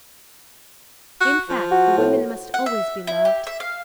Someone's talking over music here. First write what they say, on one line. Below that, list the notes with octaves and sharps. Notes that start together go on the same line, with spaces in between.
In fact, the women must always be loved.
F#4
F3
F#4
A2
F#5
E5
E4
G4
E5
F5